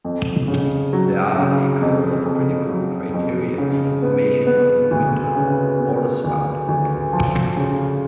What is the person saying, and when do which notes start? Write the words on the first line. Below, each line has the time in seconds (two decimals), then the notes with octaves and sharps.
There are a couple of critical criteria for the formation of a winter waterspout.
0.05 F2
0.48 C#3
0.93 F#3
1.37 C#3
1.81 F2
2.26 F2
2.69 F#3
3.14 F2
3.58 C#3
4.02 B3
4.47 B3
4.91 D2
5.35 C#3
5.80 B3
6.24 D2
6.69 D2
7.13 F3
7.57 C#3